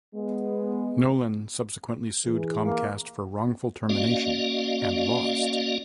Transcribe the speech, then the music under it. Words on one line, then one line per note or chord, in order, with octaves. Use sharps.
Nolan subsequently sued Comcast for wrongful termination, and lost.
G#3 B3
E3 G#4
A#3
A#3 C#4 F#4 D5 D#5 F5